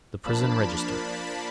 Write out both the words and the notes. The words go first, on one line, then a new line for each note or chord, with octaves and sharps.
The Prison Register.
F3 A#3 D4 A5 B5